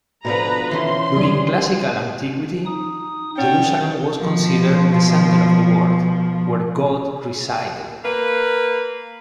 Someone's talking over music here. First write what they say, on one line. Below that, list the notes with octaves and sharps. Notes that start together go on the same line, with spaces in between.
During classical antiquity, Jerusalem was considered the center of the world, where God resided.
B2 D3 F3 B4 A#5
E3 C#4 C5 C6
G3 G#4
D#4 D#6
C#4 D5 F#5 G5
B2 F3
A#3 B4